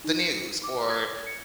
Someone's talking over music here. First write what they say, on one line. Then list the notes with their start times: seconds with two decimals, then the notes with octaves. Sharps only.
the news" or,
0.04 D#4
0.19 C#7
0.63 D6
0.90 G#6
1.27 C#7